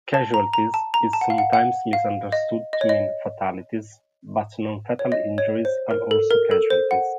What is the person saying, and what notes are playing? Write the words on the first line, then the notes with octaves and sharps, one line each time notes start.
"Casualties" is sometimes misunderstood to mean "fatalities", but non-fatal injuries are also casualties.
A5
A#5
A#5
A5
A#5
A5
F#5
F5
F#5
F#5
F5
D#5
D#5
C#5
D#5
C#5
D#5
C#5
C5
A#4
A4
A#4
A4
C5
F#5